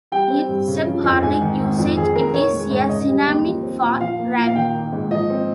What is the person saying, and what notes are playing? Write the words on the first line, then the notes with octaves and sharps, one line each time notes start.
In Sephardic usage it is a synonym for "rabbi".
G3 G5
C4
G2
C#3
F3
F2
G#2 G#5
D#3
G#1
F2
D#3 G#4
F1 A#4
D#3 C#5
G#3
G#2
C#3 D#5
G3
D#2
F3
C4
A#2
F3 F5
A#3
A#2
F5
D#3 G5
A#3
G#2
F3 D#5
C4